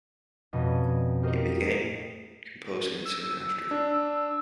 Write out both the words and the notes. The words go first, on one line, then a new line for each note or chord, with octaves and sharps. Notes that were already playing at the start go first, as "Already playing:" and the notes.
He began composing soon after.
F2 B2 C#4 D4 D#5
F4 G4 A#4 C5 D#5
E6
D4